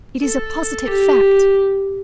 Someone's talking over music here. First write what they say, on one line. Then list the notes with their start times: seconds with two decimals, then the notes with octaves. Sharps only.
It is a positive fact!
0.21 A4
0.87 G4